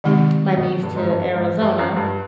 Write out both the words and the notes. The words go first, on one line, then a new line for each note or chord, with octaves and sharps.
my niece to Arizona,
C3 D#3 G#3 C4 D#4 G4
B2
G2
G#2
G2
G#2
G2
F#2
G2